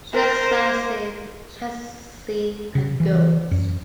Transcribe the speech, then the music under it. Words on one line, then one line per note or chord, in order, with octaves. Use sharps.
She looks as if she has seen a ghost.
A#4 C5
C#3
E3
F#2